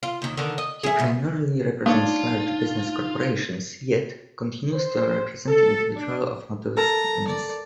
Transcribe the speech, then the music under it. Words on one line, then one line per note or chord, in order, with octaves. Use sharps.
He primarily represents large business corporations, yet continues to represent individuals of modest means.
F4
D#2 D#3
D3 D#3
D#5
E4 G#4
G#2 B2
A#3 D4 D#4 F4 C#5 D5
C5
A4
D4
A4 A#4 A5 A#5
D5